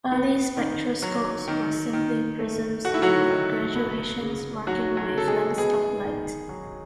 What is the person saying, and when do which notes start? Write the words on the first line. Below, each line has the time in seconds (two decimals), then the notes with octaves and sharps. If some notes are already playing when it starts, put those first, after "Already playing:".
Early spectroscopes were simply prisms with graduations marking wavelengths of light.
0.12 B3
0.57 D#3
1.02 F#3
1.48 D#3
1.93 D#3
2.39 A3
2.85 A3 F#4
2.94 E4
3.02 F#3 F#4
3.30 D#3
3.75 B3
4.21 C#3
4.67 F#3 F#4
4.97 F#3 F#4
5.12 C#3
5.18 A4
5.27 G#3 G#4
5.58 G#3 B3 G#4
6.04 D#3
6.49 F#3